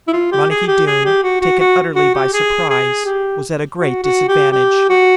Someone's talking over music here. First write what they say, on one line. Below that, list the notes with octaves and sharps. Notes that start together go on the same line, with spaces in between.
Ronicky Doone, taken utterly by surprise, was at a great disadvantage.
E4
F4
G4
G#4
G4
G#4
G4
F#4
F#4
F#4
F#4
G4
G#4
G#4
G4
F#4
F#4
G4
G4
F#4